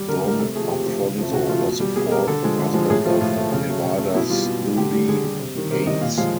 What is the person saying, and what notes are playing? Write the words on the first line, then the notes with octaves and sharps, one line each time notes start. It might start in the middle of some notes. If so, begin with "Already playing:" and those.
Dom Afonso was the fourth husband of Nevada Stoody Hayes.
Already playing: G3
D3 A#4
G3 A#4
C3 A4
F3 A3 G#4
C3 G4
F3 A3
C#3
F3 A3
C#3 F#4
F3 A3 F4
B2
G3
B2 G#4
G3 A#4
D3 A4
F3 G#3
D3
F3 G#3
A2 G#4
F3 A3 F4
A2 F4
F3 A3
C#3
F#3 A3
C#3
F#3 A3
B2 E4
G3 F4
B2
G3
D3 G4
G3
D3 G#4
G3
C3
D#3 G3
C3 A#4
D#3 G3 D#5
A#2 F5
F3 G#3 F5